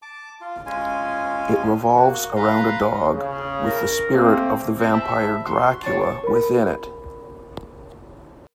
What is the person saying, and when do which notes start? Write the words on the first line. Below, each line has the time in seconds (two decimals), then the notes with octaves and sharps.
It revolves around a dog with the spirit of the vampire Dracula within it.
0.02 A5 D6
0.41 F4
0.66 G#3 C#4 F4 G#5
1.96 A#3 F#4
2.36 B4 F5 A#5 C6
3.13 C#3
3.65 A#4
4.11 A3 A#3 C4
4.79 C4
4.94 C5 E5 A5 B5
5.45 F#4 C6
5.83 G4 C#5 A5
6.24 A#4 B5